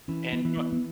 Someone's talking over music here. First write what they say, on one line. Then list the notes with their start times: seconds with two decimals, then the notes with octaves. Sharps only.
And, you know what?
0.08 E3 C#4
0.33 B3
0.45 E3
0.57 B3
0.72 B3